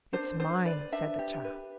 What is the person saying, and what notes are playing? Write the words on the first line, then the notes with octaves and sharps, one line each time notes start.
"It's mine," said the child.
D4 C5
D4 C5
B4 D5
D4 E5
G4
B4